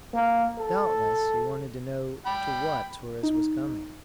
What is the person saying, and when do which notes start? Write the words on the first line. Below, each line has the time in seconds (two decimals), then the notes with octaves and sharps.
Doubtless he wanted to know to what Torres was coming.
0.14 A#3
0.58 A4
2.26 G5 B5
3.23 D#4